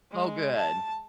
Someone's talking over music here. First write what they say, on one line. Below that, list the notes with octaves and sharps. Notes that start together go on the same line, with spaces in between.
Oh, good.
G#3
A5